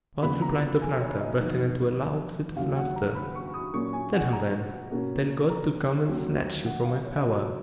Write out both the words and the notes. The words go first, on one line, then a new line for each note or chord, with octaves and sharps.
'God?' replied the planter, bursting into a loud fit of laughter, 'tell him, then,--tell God to come and snatch you from my power!
D#2 C#3 F3 B3 B5
A#5
B5
G#5
C#5
D#5
F2 D#3 F#3 B3
D#2 C#3 F#3 C#4 F5
F#5
A#5
B5
C#6
D#6
A#2 F#3 A#3 C#4 C#6
G#5
F#5
A#5
B2 A#3 C#4
A#5
D#2 D#3 F#3 C#4
F#5
F5
C#5
D#5
B2 F#3 B3 C#5